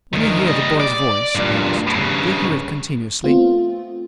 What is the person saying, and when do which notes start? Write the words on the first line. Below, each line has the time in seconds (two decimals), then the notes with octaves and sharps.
"When you hear the boy's voice," I asked, "do you hear it continuously?"
0.13 D2 D#3
0.46 G3 D#5
0.80 D5
1.35 G2 A#2
1.96 G2 C#3
3.24 A3 B3 C4 F4